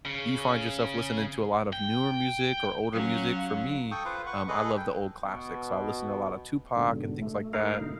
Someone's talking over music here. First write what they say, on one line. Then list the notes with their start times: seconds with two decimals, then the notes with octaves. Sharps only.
Do you find yourself listening to a lot of newer music or older music? For me, um, I love the old classics, so I listen to a lot of Tupac and things like that,
0.05 C#3
1.73 G5
2.93 F#3 C#4 F5
3.91 A4 G5 C#6 D#6
4.05 F4 B4 C5
4.26 B4 F#5 C#6
4.48 G#4 A4 B4 D#5
4.77 G5
5.23 B2
6.76 G#2 B2 D3
7.22 A3
7.53 A3 A#3 D#4 E4 A#4 F5
7.80 G#2 B2 D3 D#4